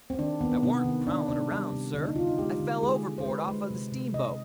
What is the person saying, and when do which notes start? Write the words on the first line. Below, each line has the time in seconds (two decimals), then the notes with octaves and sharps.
"I warn't prowling around, sir, I fell overboard off of the steamboat."
0.10 C4
0.19 D#3 D4
0.41 D#3 B3
0.51 B3
0.63 C3 B3
0.84 D#3
1.07 D#3 D4
1.29 C3 D4
1.51 G3
1.72 C3
1.94 D3 D4
2.05 D#4
2.16 D3 F4
2.27 D#4
2.38 G#3 G4
2.59 D3
2.82 G#3 G#4
3.03 G#3
3.18 C5
3.25 G#3 B4
3.48 G#3
3.70 C3
3.92 C3
4.14 C3 D#5